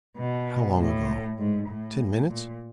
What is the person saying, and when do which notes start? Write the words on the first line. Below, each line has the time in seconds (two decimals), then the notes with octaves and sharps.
How long ago? Ten minutes?
0.17 B2
0.78 A2
1.38 G#2
1.69 A2
2.29 A#2